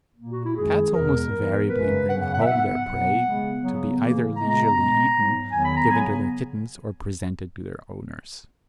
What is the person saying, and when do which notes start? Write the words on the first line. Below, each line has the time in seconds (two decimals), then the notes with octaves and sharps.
Cats almost invariably bring home their prey to be either leisurely eaten, given to their kittens, or presented to their owners.
0.16 A#2 A#3
0.30 F#4
0.42 E4
0.55 F#2 D#3 G#3 G#4
0.93 E2 B2 G#3 A#4
1.30 G#2 E3 B3
1.69 F#2 C#3 G#3 B4
2.07 F#2 C#3 F#3 B3 F#5
2.19 F#5
2.33 F#5
2.40 E5
2.45 G#2 F#3 B3 F#5
2.83 B2 F#3 B3
3.22 C#3 G#3 B3
3.59 C#3 F#3 B3
3.97 C#3 E3 A#3
4.35 C#3 G#3 B3 A#5
4.48 A#5
4.60 A#5
4.74 A#2 G#3 B3
5.11 G#2 F#3 B3
5.50 E2 D#3 F#3 B3 G#5
5.63 B5
5.75 A#5
5.88 C#3 F#3 B3 G#5